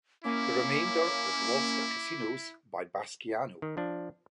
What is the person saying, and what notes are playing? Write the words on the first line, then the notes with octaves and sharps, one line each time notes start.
The remainder was lost at casinos by Basciano.
A#3 C#4 E4 D6
D#3
F3 D4